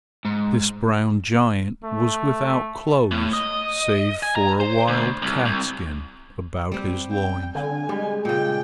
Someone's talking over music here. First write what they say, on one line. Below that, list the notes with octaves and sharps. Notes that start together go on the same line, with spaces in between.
This brown giant was without clothes save for a wild-cat-skin about his loins.
G#2
A3
A2
D#5
G#5
A#5
C5
D2
C2
C2
G3 C4 G4
G5
D3 G#5
G3 G#3
A#2 C#3 G5